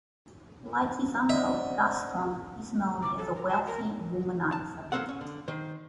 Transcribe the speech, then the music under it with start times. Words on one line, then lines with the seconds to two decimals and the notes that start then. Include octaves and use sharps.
Like his uncle, Gaston is known as a wealthy womanizer.
1.29 C4 D4 C5 D#5 E5 F#5
3.03 D6
3.18 A4
3.35 A#4
3.48 A5
3.67 A#4
4.52 A5
4.92 F#3 A#3 C4 A4 F#5
5.09 C#4
5.21 D3
5.48 D#3 C5